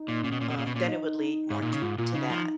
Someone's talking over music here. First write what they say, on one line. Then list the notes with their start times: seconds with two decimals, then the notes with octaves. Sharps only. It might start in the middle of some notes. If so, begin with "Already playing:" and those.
um, then it would lead more t to that.
Already playing: D#4
0.08 A#2
0.24 A#2 C#4
0.32 B2
0.41 A#2
0.50 B2
0.58 A#2
0.67 B2
0.76 A#2
0.88 D#4
1.50 G#2
1.62 A#2
1.72 C#3
1.82 G#2 F4
1.98 A#2 F4
2.14 C#3 D#4
2.30 F3